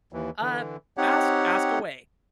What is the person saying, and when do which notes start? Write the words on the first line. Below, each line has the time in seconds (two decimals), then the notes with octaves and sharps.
uh, ask ask away.
0.13 D#2 E3
0.41 D3 E3
0.97 C4 D#4 G4 C#5 F#5